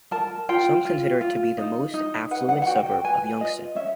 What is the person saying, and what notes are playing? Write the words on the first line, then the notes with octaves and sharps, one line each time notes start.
Some consider it to be the most affluent suburb of Youngstown.
A#4 A5
F4 G5
F4
F4
D#4
D#4
B4 F#5
F#5
F#5
F#4 G5
G5
B4 G#5
F4 D#5
C#4 E5